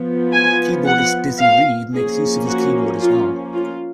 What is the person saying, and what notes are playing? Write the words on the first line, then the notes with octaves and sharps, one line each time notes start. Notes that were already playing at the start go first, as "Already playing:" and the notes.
Keyboardist Dizzy Reed makes use of his keyboard as well.
Already playing: F3 B3
G#5
F#5
F5
F3 A#3 C#4 G#4
F#4
F4
F4